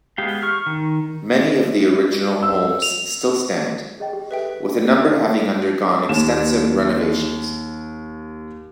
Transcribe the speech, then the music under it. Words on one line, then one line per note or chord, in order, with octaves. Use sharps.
Many of the original homes still stand, with a number having undergone extensive renovations.
G#3 B3 G4 F5
C#6 F6
D#3
E6
F7
G#4 D#5 G5
G4
A4 B4 E5 G5
D#2 E7